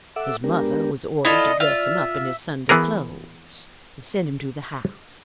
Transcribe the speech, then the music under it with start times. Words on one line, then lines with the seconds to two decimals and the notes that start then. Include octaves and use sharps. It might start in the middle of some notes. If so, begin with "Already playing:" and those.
His mother was ordered to dress him up in his Sunday clothes, and send him to the house.
0.16 A4 E5 F#5 D6 E6
0.44 G#3 B3 D4 G4 A#4
1.25 E4 F4 A4 D5 D#5
1.60 F4 E5
2.69 E3 B3 G#4 A#4